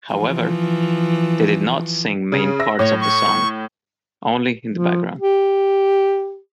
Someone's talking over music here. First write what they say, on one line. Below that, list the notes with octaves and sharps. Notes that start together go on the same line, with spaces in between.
However, they did not sing main parts of the song, only in the background.
E3 F3
C#3
E5 E6 A#6
A2 C#5
C#6
F3
G4